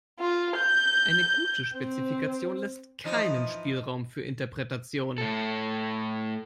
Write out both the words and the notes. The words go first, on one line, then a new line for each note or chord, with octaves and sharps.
Eine gute Spezifikation lässt keinen Spielraum für Interpretationen.
F4
G6
C4
E3 F3 D#4
A2 A4